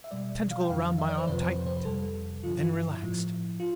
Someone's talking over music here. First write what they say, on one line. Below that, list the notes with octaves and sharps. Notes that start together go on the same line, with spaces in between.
The tentacle around my arm tightened, then relaxed.
E5
B2 G3 D5
F5
G5
F2 D3 F3 F5
E5
D5
C5
F2 C3 F3 B4
C5
C5
B4
F2 C3 G3 A4
G2 D3 F3 F4
F4
E4
A2 F3
F4